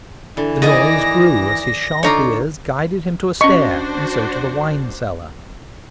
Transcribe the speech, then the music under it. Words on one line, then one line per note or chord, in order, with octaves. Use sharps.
The noise grew as his sharp ears guided him to a stair and so to the wine cellar.
D3 E3
D#3 B3 G#4 D5 D#5 A#6
D3 D#4 F4 C#5 A#5 D6
C#4 D4 F#4 C5 D#5 C#6